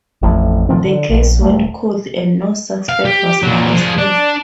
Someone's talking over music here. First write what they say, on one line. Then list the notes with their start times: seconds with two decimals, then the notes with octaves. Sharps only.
The case went cold, and no suspect was arrested.
0.23 A1 F2 A2
0.69 A2 D#3 F3 C4
0.83 D3
1.10 A#1
1.42 D#1 A3
2.89 F5
3.05 G4
3.43 A#2 F#3
3.72 F3 G#4
3.98 D4